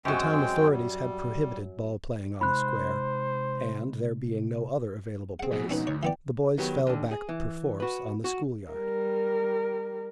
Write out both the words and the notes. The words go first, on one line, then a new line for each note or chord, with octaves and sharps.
The town authorities had prohibited ball-playing on the Square, and, there being no other available place, the boys fell back perforce on the school-yard.
F#2 F#3 G#3 C4 G5
G3
C3 G#3 D#4 C5 B5 F#6
C4 G#4 F#5
F2 B2
C4 C#4 D#4 B4
D2 C#5
E3 B3 D5 G5
D#3 F#3 B3 G4
D#2 D3
G#4
E3
F#4 B4
F#4
G3 A#4